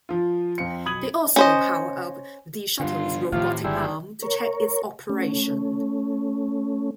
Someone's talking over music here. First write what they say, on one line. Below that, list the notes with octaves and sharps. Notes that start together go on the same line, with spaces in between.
They also powered up the shuttle's robotic arm to check its operation.
F3 F4
F2 C4 F5 C#7
B1 B5 D#6 G#6 F#7
C#4 C5 D#5
G2 D3 F4
A2 C3 D#3 F3 F4
G1 G3 G#3 D4 E4
A#4 C#5
A3 C#4